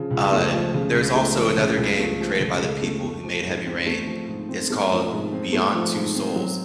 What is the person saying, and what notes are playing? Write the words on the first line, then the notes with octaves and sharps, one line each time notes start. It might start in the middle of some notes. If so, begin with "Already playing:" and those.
Uh, there's also another game created by the people who made Heavy Rain, it's called Beyond: Two Souls.
Already playing: C#3 F3
C#2
A3
F3
C#3
C#2
A3
F3
C#3
C#2
A3
F3
C#3
C#2
A3
A3
F3
G#2
C4
A3
F3
G#2
C4
A3
F3
G#2
C4
A3
F3
G#2
C4
F#3